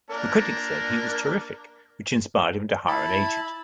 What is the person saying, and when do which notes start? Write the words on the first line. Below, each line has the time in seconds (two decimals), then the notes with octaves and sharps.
A critic said he was terrific, which inspired him to hire an agent.
0.10 A#3 D4 A#4
2.88 E4 A5 B5